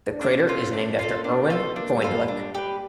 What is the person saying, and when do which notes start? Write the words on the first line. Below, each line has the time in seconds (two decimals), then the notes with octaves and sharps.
The crater is named after Erwin Freundlich.
0.11 D4
0.21 C#4 D4
0.47 F4 A4
0.73 D4
0.99 F4 A4
1.14 A#3
1.24 B3 D4
1.50 F4 A4
1.76 A#3 D4
1.94 G#3
2.02 G3 F4 A4
2.16 G3
2.28 G3 D4
2.55 G4 B4